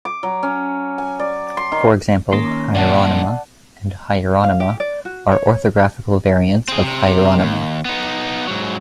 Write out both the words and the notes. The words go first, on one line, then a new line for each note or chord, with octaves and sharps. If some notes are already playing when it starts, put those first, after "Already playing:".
For example, "Hieronima" and "Hyeronima" are orthographical variants of "Hieronyma".
D6
F#3
C#4
G#5
D5
C6
D#3
D#3 A#3 C#4 A#5 C6
G2 A#2 D5 F#5 A5
F5
G4
D5
F#4
C#5
C4 G#4
C3
D#2
B3 D#4
G#2 F#3